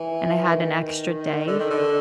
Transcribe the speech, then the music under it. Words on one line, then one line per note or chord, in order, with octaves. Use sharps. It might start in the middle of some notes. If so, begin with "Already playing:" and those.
and I had an extra day.
Already playing: E3
D#3
D3
D#3
D3